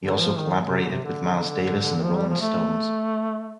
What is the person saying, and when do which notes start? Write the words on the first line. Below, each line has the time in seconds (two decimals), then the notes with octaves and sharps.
He also collaborated with Miles Davis and the Rolling Stones.
0.04 D3
0.21 F3
0.38 D#3
0.67 C3
0.79 D3
0.91 C3
1.04 D3
2.04 F3
2.16 G3
2.29 F3
2.40 A3